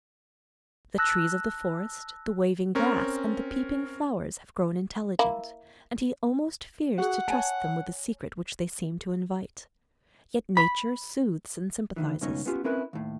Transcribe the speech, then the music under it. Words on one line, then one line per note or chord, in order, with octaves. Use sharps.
The trees of the forest, the waving grass and the peeping flowers have grown intelligent; and he almost fears to trust them with the secret which they seem to invite. Yet nature soothes and sympathizes.
A5 E6 F#6 A#6
C4 C#4 A#4
A#3 E4
F#4 G#4 F#5
C#5 G#5 A5
B5
D2 D#3 E3
C#2 G2 B2 C#4 D#4 C#5
B3 C#4 F4 G4
C4 C#4 E4 A#4 B4
D#2 A2